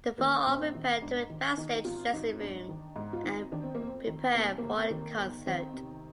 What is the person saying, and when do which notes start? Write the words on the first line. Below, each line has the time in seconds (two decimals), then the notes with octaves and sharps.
The four all repair to a backstage dressing room and prepare for a concert.
0.18 D#3 A#3
0.46 A#1 C4
0.75 D#3
1.02 G#2 D4
1.30 D#3
1.58 D#3 D#4
1.75 D#4
1.85 G#1 F4
2.13 G#1 D#4
2.41 G#2 D4
2.69 D#3
2.96 G#2
3.13 F4
3.24 G#1 D#4
3.52 D#3 D4
3.63 C4
3.75 A#3
3.80 F2
3.86 C4
4.07 D#3
4.35 C3 A#3
4.58 G1 A#3
4.91 D#3
5.19 G1
5.46 D#3 C4
5.74 C3